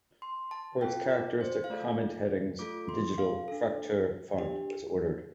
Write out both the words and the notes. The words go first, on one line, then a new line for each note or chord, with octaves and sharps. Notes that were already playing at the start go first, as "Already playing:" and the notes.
For its characteristic comment headings, a digital "Fraktur" font was ordered.
C6
A5
C4 F4 A4 G5
D5
C5
F5
A3 F4 A4 D5
A3 F4 A4 D6
C6
F5
D4 A4
D4 G4